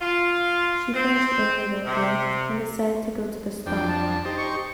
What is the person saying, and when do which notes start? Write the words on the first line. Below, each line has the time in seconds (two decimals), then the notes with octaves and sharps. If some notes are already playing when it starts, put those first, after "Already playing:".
She finished early that day, and decided to go to the spa.
0.01 F4
0.94 C4
1.85 C3
3.66 F2 D4 G5
3.89 A5
4.25 D#4 G4 C5
4.38 C#6